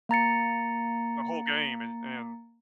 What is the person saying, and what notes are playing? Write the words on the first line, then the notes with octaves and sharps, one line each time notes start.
the whole game and and
A#3 A#5 A6 C#7